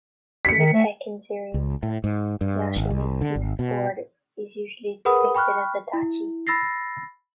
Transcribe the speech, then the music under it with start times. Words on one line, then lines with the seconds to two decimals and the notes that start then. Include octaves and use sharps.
In the "Tekken" series, Yoshimitsu's sword is usually depicted as a tachi.
0.45 B6 C#7
0.57 D#3
0.73 A3
1.54 C#2
1.83 A2
2.04 G#2
2.41 G2
2.76 G#1
2.90 C2
3.21 D3
3.36 G#1
3.59 B2
5.05 G#4 A#4 B4 F#5 B5 D#6
5.35 G5 B5 C#6 F6 F#6
5.93 E4
6.47 B5 E6 A6 A#6 C7